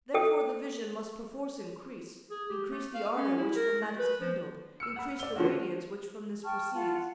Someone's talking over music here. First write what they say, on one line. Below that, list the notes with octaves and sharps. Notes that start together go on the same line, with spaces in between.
Therefore the vision must perforce increase, Increase the ardour which from that is kindled, Increase the radiance which from this proceeds.
A4 G5 D#6
G#4
G4
A3
F5
C#4
E4
A#4
A3
B4
F3
E6 F6 C#7
F#5 B5
D5 G7
D3 F3 C#4 F#4
G5 A5 C#6 F6
F4 F#5 A5
F#5